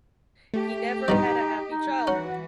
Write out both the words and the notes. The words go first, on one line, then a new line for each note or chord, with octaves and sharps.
He never had a happy childhood.
A3 G4
G2 B2 F3 D#4 D#5
D#4
E3 C#4 F#4 F#5